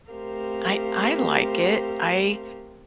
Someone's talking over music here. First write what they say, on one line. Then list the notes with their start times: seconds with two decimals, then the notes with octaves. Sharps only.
I I I like it. I
0.11 A3 C4 G4 A#4 C5 F5